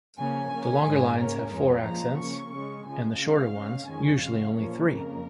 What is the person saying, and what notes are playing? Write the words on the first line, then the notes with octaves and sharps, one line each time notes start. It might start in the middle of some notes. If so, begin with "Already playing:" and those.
The longer lines have four accents and the shorter ones usually only three.
C#3 F3 A#3 C#4 G#5
C#3 A#3 C#4
G#2 D#3 G#3 C#4
C#3 A#3 C#4 A#4
F2 F3 G#3 C#4
A#2 F3 G#3 A#5
C#3 A#3 C#4 C#6
C#3 G#3 C#4 C#6
C#3 F3 G#3 G#5
C#3 G#3 C#4 F5
C#3 G#3 C#4
F2 D#3 G#3 C#4 G#5
C#3 G#3 C#4 F5
A#2 F3 A#3 C#4 C#5
F2 C#3 A#3 A#4